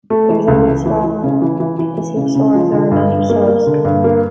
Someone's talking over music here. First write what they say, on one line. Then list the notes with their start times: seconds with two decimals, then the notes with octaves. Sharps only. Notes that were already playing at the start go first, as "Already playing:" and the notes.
They resemble small plesiosaurs or nothosaurs.
0.10 A3
0.30 E3
0.48 C#2
0.67 E3
0.86 E3
1.04 E3
1.23 C#3
1.42 E3
1.60 E3
1.79 E3
1.98 E3
2.16 C#3
2.35 C#3
2.55 F3
2.72 D3
2.91 G2
3.10 G2
3.29 A#3
3.47 A#3
3.66 D3
3.85 G2
4.04 A#3